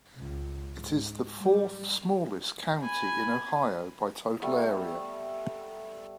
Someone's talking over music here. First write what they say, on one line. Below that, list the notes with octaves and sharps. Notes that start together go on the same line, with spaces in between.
It is the fourth-smallest county in Ohio by total area.
C#2
G#2
G3
G#5 B5
G3 A3 B3 D#6